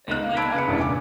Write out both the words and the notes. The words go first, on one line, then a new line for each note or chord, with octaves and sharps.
and, like, on my
C#2 D#4 F#6
F5
A5 B5 E6 G#6 B6 D7
C#3 B4 C#7
E1 A#1 G2 C#3 E3
G#5 D6